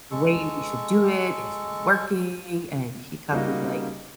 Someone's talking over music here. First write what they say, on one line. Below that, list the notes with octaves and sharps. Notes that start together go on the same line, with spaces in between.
the way we should do it is working, and he comes, he's like,
G#3 A4 C#6
C#3 G3 A#3 D#4 F#4